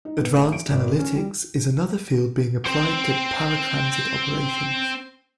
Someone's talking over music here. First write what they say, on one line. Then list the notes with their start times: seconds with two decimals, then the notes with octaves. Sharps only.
Advanced analytics is another field being applied to paratransit operations.
0.05 D#4
0.18 B3
0.33 A2
0.52 D7
0.71 G#1
0.86 A#4
0.99 C#4
1.15 G3
2.65 C4 C5